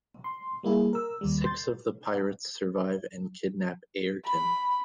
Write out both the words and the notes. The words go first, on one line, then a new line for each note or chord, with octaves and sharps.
Six of the pirates survive and kidnap Ayrton.
C6
G3 A#3 E4 G#4
A#4 E6
D#2 G3
C6 G6 A6
B5